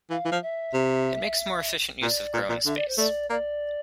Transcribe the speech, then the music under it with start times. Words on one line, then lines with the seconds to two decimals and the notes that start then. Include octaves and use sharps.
It makes more efficient use of growing space.
0.10 E3 F5
0.25 E3
0.32 F3
0.42 E5
0.73 C3
2.02 A#2 D5
2.34 A#2
2.49 A#2
2.66 D3 E5
2.76 D5
2.88 C5
2.98 A3 D5
3.30 A#3 D5